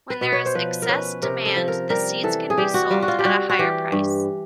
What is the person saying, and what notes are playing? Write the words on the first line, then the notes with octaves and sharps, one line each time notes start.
When there is excess demand, the seats can be sold at a higher price.
B4
B2
C#5
C5
F3 B4
A#4
C#4 B4
C3 A#4
A4
F3
A#4
G3 A#4
E3 A4
G#4
G3 G4
F#4
G3 F4
F#4
F4
G4
G3 F#4
F#4
E3 G4
G2